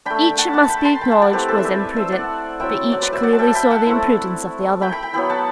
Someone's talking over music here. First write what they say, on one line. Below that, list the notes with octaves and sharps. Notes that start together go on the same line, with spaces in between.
Each, it must be acknowledged, was imprudent; but each clearly saw the imprudence of the other.
A3 D4 G5 B5
F#5 A5
F#5 A5
G5 B5
A5 C6
G5 B5
F#5 A5
D5 F#5
A3 C4 E4 G4 B4
A4 C5
E5
B4 D5
C5 E5
D5 F#5
F#3 C4 E4 E5 G5
D5 F#5
B4 D5
C5 E5
D5 F#5
A5
E5 G5
G5 B5
F#5 A5
A3 C4 E4
G5 B5
G5 B5
G5 B5
F#3 B3 E4 G5 B5
F#5 A5